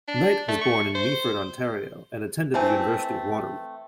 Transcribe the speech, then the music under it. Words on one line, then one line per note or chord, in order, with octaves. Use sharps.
Knight was born in Meaford, Ontario and attended the University of Waterloo.
D4
A3
C#6
C5
E3 A3 C4 G#5